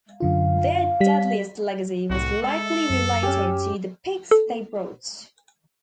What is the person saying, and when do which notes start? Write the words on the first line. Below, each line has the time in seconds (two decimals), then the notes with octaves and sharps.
Their deadliest legacy was likely related to the pigs they brought.
0.20 F#2 D3 F4 F5
1.01 G3 B6
2.10 C2 A2 F#4
2.43 G#3 A4 E5
2.90 F#2
3.23 C#4 G4 G#5 E6 F6
4.31 A4